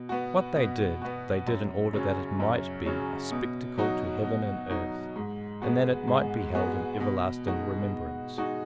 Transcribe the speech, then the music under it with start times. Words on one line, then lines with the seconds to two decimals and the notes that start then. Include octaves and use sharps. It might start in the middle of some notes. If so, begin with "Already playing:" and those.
What they did they did in order that it might be a spectacle to heaven and earth, and that it might be held in everlasting remembrance.
Already playing: B2
0.09 B3 F#4
0.56 B2
1.02 B3 F#4
1.47 F#2
1.93 C#3 F#3 C#4
2.40 F#2
2.86 C#3 F#3 C#4
3.31 B2
3.78 F#3 D#4 F#4
4.24 B2
4.70 F#3 D#4 F#4
5.16 G#2
5.62 G#3 B3 F#4
6.07 G#2
6.53 G#3 B3 F#4
7.00 B2
7.46 G#3 D#4 F#4
7.92 B2
8.38 G#3 D#4 F#4